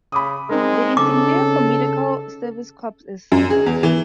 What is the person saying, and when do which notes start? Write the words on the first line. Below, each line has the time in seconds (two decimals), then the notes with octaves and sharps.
The insignia for Medical Service Corps is silver.
0.12 C#3 B5 D6 D#6
0.49 G#3 C4 D#4 A#4
0.97 C#3 A4 D6
3.32 F#2
3.50 G#4
3.66 E2
3.83 E3